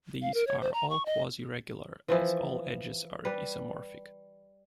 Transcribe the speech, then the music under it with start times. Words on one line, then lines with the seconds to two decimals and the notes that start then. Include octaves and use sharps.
These are all "quasi-regular" as all edges are isomorphic.
0.22 F5
0.34 A#4
0.47 C#5
0.61 C5
0.73 A#5
0.90 C#6
1.06 D#5
2.08 E3 F3 E4
3.25 G3 B4